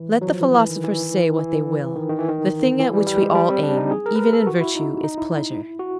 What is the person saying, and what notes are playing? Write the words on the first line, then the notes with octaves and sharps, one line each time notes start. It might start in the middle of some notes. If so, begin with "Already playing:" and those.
Let the philosophers say what they will, the thing at which we all aim, even in virtue is pleasure.
Already playing: E3
F#3
F3
E3
F3
E3
D#3
E3
E3
D#3
D#3
E3
D#3
E3
G3
G3
G#3
G3
C4
D4
D#4
G#4
A#4
B4
A#4
A4
F#4
E4
D#4
D#4
E4
F#4